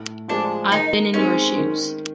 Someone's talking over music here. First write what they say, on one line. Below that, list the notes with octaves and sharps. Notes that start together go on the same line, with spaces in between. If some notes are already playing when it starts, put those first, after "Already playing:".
I’ve been in your shoes.
Already playing: A2
F3 G#3 D4
D#3 D#4
G#3 C4 C#4 D#4
D#3